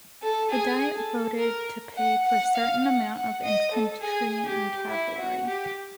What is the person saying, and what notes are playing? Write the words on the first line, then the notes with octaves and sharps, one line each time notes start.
The Diet voted to pay for certain amount of infantry and cavalry.
A4
G#4
A4
A#4
F#5
F#5
F5
F#5
F#5
D#5
A4
G#4
G4
E4
F#4
G4